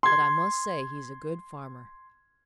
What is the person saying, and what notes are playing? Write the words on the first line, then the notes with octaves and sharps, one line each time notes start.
But I must say he's a good farmer.
C6 G#6